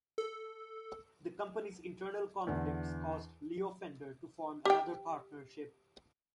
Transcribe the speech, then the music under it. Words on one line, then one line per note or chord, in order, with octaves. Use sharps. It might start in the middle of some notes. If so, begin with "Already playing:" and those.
The company's internal conflicts caused Leo Fender to form another partnership.
A4
E2 D3 D5
G4 G5